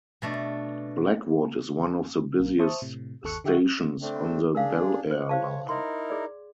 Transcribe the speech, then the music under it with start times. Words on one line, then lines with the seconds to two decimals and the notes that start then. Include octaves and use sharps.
Blackwood is one of the busiest stations on the Belair line.
0.22 B2 A3 D4
2.39 A#1 A#3
2.59 C5 E5 A5 C#6 D#6
2.82 A2 C3
3.23 G1 D#2 A4 C#6 F#6 C#7
3.44 D3 G4 E5 F#5 C#6
4.02 A3 C4 D4
4.55 D4 G#4 A#4 F5
5.10 B4 C5
5.29 C5 C#5 F5 A5
5.69 D#4 E4 A#4 C6
6.10 G#4 D5